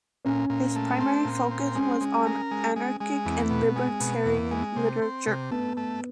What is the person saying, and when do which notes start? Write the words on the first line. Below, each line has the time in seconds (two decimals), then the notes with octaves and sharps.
His primary focus was on anarchic and libertarian literature.
0.25 A#2 C#4
0.50 A#2
0.75 A3
1.00 C4
1.25 A#2
1.51 C4
1.75 G#3 C#4
2.01 G#3
2.26 A#4
2.51 G#3
2.76 G#3
3.00 G#3
3.26 E2 C4
3.50 B2
3.63 C4
3.76 G#3
4.00 B2
4.25 E2
4.51 G#3
4.76 C3
5.02 C4
5.27 C3
5.51 A3 B3
5.77 A3